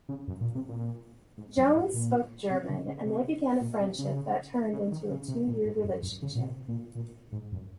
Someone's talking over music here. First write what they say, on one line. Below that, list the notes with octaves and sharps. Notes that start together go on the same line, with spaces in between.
Jones spoke German and they began a friendship that turned into two-year relationship.
C#3
F#2
A#2
C3
A#2
G#2
F#2
G#2
A#2
C3
C#3
C#3
C3
A#2
C3
C#3
C#3
D#3
C#3
C3
A#2
G#2
F#2
F#2
C#3
A#2
C3
A#2
A#2
G#2
F#2